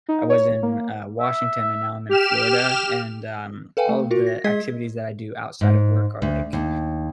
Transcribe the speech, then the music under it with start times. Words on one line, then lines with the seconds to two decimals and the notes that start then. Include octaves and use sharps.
I was in, uh, Washington, and now I'm in Florida, and, um, all of the activities that I do outside of work are, like,
0.09 D#4
0.30 C#5
0.63 A#3
1.21 E5
2.09 G4 F6 E7
3.77 A4 B4 F5 G5 G#5
3.89 A3
4.11 F4 F#4 A#4
4.27 A#6
4.44 G#3 G#4 D#5 G#6 B6
5.61 G#2
6.22 D2
6.53 D#2